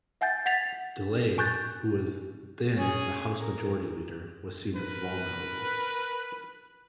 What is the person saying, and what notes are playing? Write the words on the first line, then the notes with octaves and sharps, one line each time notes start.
DeLay, who was then the House Majority Leader, was seen as vulnerable.
E5 F#5 G#5 G6 A6
F#5 G#6 A6 B6 F7
G#5 C#6 F#6 G6 A6
C#4 G#4
A#4
A#4 B4